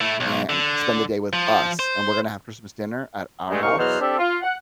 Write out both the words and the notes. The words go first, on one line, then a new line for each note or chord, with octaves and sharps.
and spend the day with us, and we're gonna have Christmas dinner at our house.
A3 E4
B1
D3
F3
C5
G2 G#3 A3
C2 D#4 A#4 F5 C#6
E2 B2 F#3 B3 C5 F6
C4 D4 G4 A4 D5 E5
F4
F#5